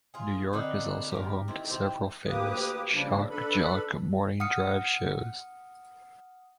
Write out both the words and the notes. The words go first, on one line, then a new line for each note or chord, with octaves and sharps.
New York is also home to several famous "shock jock" morning drive shows.
F4 G#4
D3 A#3 C4 D4 D#4 B4
C5
G4 A#4
D#3 C4 E4
C4 G4
D2 A#3 G4 B4 D6 D#6
C#3 F3 G3 A#3 D4
D4 A4 B4 B5
F#5 D#6 F6 C#7